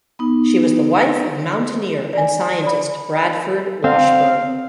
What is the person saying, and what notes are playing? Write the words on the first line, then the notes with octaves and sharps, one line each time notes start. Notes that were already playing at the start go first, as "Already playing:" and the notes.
She was the wife of mountaineer and scientist Bradford Washburn.
B3 D#4
D5 G#5
D5 B5
C4 F5